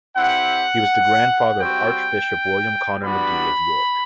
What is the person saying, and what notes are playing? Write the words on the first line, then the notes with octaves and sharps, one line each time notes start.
He was the grandfather of Archbishop William Connor Magee of York.
C4 E4 G4 F#5
G3 C4 F#4 G5
G3 B3 D4 F#4 B5